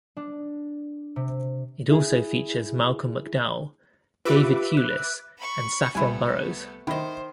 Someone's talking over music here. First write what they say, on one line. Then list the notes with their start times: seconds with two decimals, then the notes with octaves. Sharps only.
It also features Malcolm McDowell, David Thewlis and Saffron Burrows.
0.17 D4
1.16 C3
1.90 E4 G#4
4.25 F4 G4 B4 E5 D6
4.77 F#6
5.36 B5 C#6
5.95 C2 A3 B3 E4 G#5
6.87 D#3 E4 C5 D#5